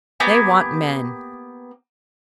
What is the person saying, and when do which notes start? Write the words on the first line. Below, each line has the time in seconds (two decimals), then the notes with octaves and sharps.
They want men.
0.20 A#3 B3 G4 G#5